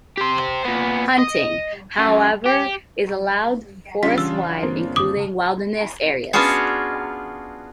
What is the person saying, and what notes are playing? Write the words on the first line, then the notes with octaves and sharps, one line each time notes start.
Hunting, however is allowed forest-wide including wilderness areas.
G4 C5
A#2 B3
D#5
F#2
G4
C#3 G3 C#4 D4 F4 B6
E3 E6
G1 A#3 C4
F#2 D3 D#3 D6 D#6
F#1 C#3
B3 C#4 D4 F4 F#4 G#4